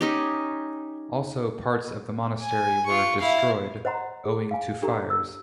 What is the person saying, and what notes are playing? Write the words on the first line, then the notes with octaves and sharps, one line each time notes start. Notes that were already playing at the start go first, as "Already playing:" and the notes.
Also parts of the monastery were destroyed owing to fires.
C#4 D#4 G4
G#5
F4 C#6
E4 F5
C5 D#5 F#5 A#5 C6
G#4
F5 G#5
D4 G4 A4 A#5
E6